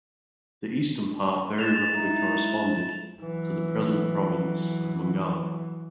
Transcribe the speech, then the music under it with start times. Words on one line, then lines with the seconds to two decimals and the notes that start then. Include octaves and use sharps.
The eastern part very roughly corresponded to the present province of Mongala.
1.59 G#3 A6 E7 F7
1.95 G#3 D#4 E4
3.21 E3 F#3